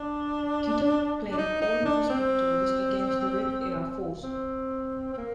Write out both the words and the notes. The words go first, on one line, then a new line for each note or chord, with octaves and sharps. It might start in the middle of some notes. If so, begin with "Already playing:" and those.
Kittel claimed all of his victories against the Red Air Force.
Already playing: D4
D4
D#4
D#4
D4
C4
C4
C4
A#3